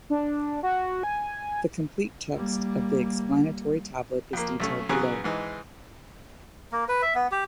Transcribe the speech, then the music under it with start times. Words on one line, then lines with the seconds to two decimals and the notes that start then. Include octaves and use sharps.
The complete text of the explanatory tablet is detailed below.
0.10 D4
0.63 F#4
1.03 G#5
2.34 G3 A#3
4.33 F2 A#3
4.60 B1 A3 C#4
4.89 C#3 E3 F#3 B3 G#4
5.24 G#2 E3 G#3
6.72 A#3
6.89 B4
7.02 E5
7.15 B3
7.32 G4